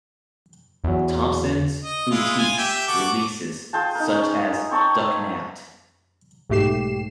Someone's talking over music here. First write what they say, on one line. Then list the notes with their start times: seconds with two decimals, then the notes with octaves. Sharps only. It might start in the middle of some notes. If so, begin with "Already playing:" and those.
Thompson's boutique releases, such as Ducknapped!
0.84 E2 F#3
1.84 D#5
2.11 G#3 E4 F4
2.39 F4 G#5
2.58 G4 E5 G5
2.88 F#4 A4 D6
3.73 F4 G#4 G5 A5
3.95 D#4 A#4
4.14 C#4
4.71 C4 C#5 A5 C#6
6.49 B1 G#2 A3 G4 C7 E7